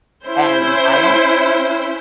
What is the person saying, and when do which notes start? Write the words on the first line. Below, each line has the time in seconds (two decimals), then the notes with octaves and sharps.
and I don't
0.23 C#4 E4 C5